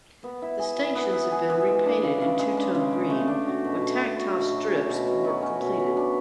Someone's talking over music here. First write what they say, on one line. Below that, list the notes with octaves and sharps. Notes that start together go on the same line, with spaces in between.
The stanchions have been repainted in two-tone green with tactile strips work completed.
B3
E4
G#4
E3
B3
E4
G#4
E3
G#3
D4
C#3
C#3
G#3
D4
C#3
C#3
A3
D4
F#4
B2
A3
D4
F#4
B2
F#3
C#4
B2
B2
F#3
C#4
B2
B2
D4